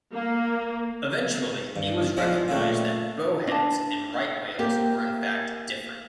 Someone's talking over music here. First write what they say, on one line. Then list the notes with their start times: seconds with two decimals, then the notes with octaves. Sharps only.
Eventually, it was recognized that bowheads and right whales were in fact different.
0.13 A#3
1.76 G2
2.17 F3 G#3 D4 F4
2.48 A#2 C#3 A3 D4
3.47 D4 A5
4.59 A#3 C4 G4 E5